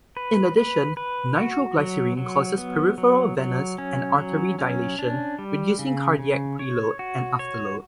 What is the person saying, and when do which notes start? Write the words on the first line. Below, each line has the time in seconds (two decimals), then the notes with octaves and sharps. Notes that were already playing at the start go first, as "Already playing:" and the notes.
In addition, nitroglycerin causes peripheral venous and artery dilation reducing cardiac preload and afterload.
0.17 B4
0.57 B4
0.97 B4
1.38 F#4
1.77 F#3
2.17 F#3
2.58 B3
2.98 F#3
3.38 F#3
3.78 C#4
4.18 F#3
4.59 C#4
4.99 D4
5.39 G3
5.79 C#3
6.19 C#3
6.59 C#5
6.99 F#4
7.39 C#5